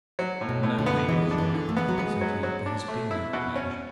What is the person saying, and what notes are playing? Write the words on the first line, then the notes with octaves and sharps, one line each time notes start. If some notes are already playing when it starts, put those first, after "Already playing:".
"No, Lady Ongar," said he, "there has been no revenge."
F#3
A2
B2
A2
D3
B3
E3 G#3
D4
E3
D3
A3
G#3 B3
F#3
G#3 B3
F#3
F#3
D4
A3
E4
B2
C#4